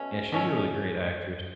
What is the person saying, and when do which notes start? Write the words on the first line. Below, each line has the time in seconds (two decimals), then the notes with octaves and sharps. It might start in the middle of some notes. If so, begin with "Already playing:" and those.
Yeah, she's a really great actress.
Already playing: B2 A3 C#4
0.32 B2 A3 C#4